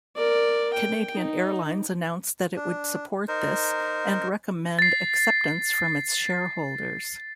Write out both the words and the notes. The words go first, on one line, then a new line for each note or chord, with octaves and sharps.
Canadian Airlines announced that it would support this and recommend acceptance from its shareholders.
A#4 D5
G5
D#4
D4
D#4 A#4 C5
A6 C7